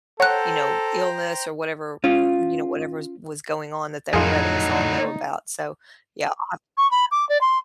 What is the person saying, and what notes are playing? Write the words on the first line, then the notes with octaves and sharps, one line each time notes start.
you know, illness or whatever, m you know, whatever's was going on that they were letting us all know about. So, yeah, I'll have to do that.
A4 C5 C#5 F#5 G5 A#5 F#6
C#4 F4
F2 A2 F3 F#3 D#4 F4 G#4
C#6
B5
D6
D5
C6